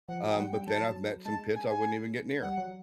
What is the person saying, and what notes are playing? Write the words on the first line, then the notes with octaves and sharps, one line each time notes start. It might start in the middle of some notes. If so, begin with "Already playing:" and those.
Um, but then I've met some Pits I wouldn't even get near.
F3 F#5
F#3
G5
G3 F#5
G3 G5
F#3 A5
F#3
G#3 A5
G#5
G#5
G3 F#5
F#3